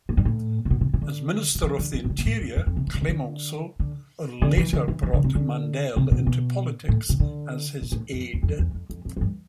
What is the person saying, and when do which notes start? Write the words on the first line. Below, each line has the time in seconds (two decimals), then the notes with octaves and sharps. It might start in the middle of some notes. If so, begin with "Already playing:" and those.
As Minister of the Interior, Clemenceau later brought Mandel into politics as his aide.
0.09 A2
0.17 G2
0.25 A2
0.65 C3
0.70 B2
0.81 C3
0.94 C3
1.01 D3
1.55 D3
1.63 E3
1.79 D3
1.94 E3
2.04 C3
2.10 D3
2.18 B2
2.25 A2
2.41 F2
2.56 F2
2.67 F2
2.77 C3
2.87 E3
2.94 D3
3.01 C3
3.09 D3
3.80 D3
4.42 D3
4.57 E3
4.73 D3
4.88 E3
5.03 E3
5.13 D3
5.24 C3
5.35 D3
5.96 C3
6.11 B2
6.27 B2
6.88 A2
7.09 C3
7.20 D3
7.81 B2
7.92 A2
8.13 F2
8.33 E2
8.43 F2
8.59 E2
8.74 F2
8.90 F2
9.05 F2
9.17 F2
9.21 G2